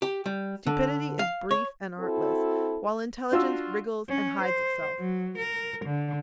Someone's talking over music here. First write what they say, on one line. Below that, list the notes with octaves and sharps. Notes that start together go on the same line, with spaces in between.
Stupidity is brief and artless, while intelligence wriggles and hides itself.
G4
G3
D3
F5
C#5
C4 E4 F#4 A4
D4 F4 F#4 E6
C#4
C5
F#3
A#4
D3